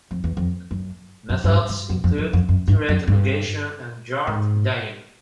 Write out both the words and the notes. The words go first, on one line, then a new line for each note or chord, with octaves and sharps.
Methods include direct application and yarn dyeing.
F2
E2
F2
F#2
F#2
F#2
G2
G2
F#2
F2
F#2
F2
F#2
G2
F#2
G2
G#2